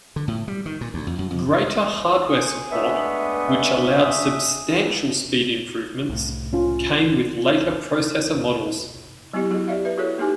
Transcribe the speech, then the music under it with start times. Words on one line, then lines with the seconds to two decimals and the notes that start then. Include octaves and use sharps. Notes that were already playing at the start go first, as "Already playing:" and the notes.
Greater hardware support, which allowed substantial speed improvements, came with later processor models.
0.16 D3
0.28 A2
0.48 G3
0.66 D#3
0.81 A#2
0.94 D2
1.07 F2
1.19 F#2
1.31 F2
2.27 G#4
2.72 G#3 A3 B3 D4 E5
3.48 E5
4.68 E2
6.09 C2 A2
6.53 C#4 F4
9.34 F#3 B3 E4 G4 D#5
9.51 F#3 E4 F#4 G#4
9.68 G4 D5 E5 F5
9.85 B4 E5
9.97 E4 F#4 G#4 A4 C#5
10.18 A#3 D#4 G4 G#5 D6